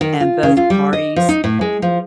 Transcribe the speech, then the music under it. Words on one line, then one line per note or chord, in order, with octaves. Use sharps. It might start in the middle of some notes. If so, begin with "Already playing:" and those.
and both parties
D#3
F4
C#3
F4
G3
D#5
F3
D#4
A2
G#3
F3